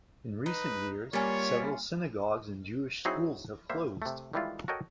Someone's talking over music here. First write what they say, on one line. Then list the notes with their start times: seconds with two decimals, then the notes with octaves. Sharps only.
In recent years, several synagogues and Jewish schools have closed.
0.46 D#4 B4
1.13 G3 A#3 C#4 F4 C#5
3.05 F#3 C4 D#4 E4 G#4
3.69 G3 A#3 C5 E5
4.02 C3 A3
4.33 D#3 E3 G3 G#3 E4 F4
4.68 F#4 A4 A#4 C#5 D#5 G5